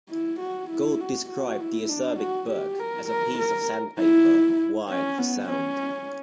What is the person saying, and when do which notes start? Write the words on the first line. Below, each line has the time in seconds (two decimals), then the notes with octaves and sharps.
Gould described the acerbic Burke as a piece of sandpaper wired for sound.
0.10 E4
0.40 F#4
0.70 E4
1.01 F#4
1.30 F#4
1.60 E4
1.89 D4
2.20 F#4
2.50 G4
2.80 A#4
3.09 A#4
3.39 A#4
3.99 E4
4.89 C#4
5.18 B3
5.49 C#4